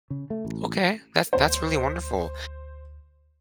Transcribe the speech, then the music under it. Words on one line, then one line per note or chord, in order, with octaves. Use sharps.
Okay. That's that's really wonderful,
C#3
A3
A1
D2 B3 D4 C5